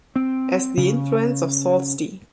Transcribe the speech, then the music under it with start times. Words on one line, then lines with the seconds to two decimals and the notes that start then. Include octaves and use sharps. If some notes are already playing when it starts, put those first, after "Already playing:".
As the influence of Sault Ste.
0.16 C4
0.77 C#3